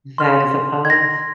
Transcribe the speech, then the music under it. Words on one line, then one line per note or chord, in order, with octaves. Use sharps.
That is a plus.
C6 F6
G#6
A#6